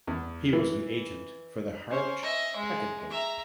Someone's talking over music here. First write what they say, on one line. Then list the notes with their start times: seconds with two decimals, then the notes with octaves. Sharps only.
He was an agent for the Harwich packet boat.
0.07 E2
0.53 E3
1.90 C#4 C5
2.22 D#5 E5
2.57 G#3
3.10 E5 A#5